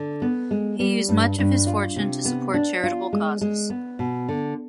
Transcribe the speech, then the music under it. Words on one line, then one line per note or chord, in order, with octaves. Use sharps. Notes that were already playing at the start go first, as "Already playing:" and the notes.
He used much of his fortune to support charitable causes.
Already playing: D3
B3
G#3
G3
G2
G2
F4
C3
B3
D4
F4
G#3
G#3
B3
B2
D3